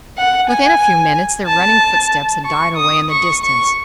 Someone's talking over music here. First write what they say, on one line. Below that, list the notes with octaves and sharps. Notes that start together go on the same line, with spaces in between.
Within a few minutes their running footsteps had died away in the distance.
F#5
G#5
A5
C#6
D#6
C#6
C#6